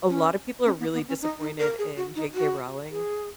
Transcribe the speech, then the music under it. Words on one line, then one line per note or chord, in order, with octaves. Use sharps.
a lotta people are really disappointed in J.K. Rowling,
C#4
C#4
B3
B3
C#4
D#4
D#4
A#4
G#4
F#4
D#4
F#4
G#4